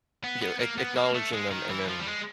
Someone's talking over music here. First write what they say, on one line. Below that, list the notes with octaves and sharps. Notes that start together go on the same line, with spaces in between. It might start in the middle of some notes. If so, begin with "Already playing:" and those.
you know, ac acknowledging them and then
B3
B3
A#3
B3
A#3
A3
G#3
D#3
E3
F3
G3
G#3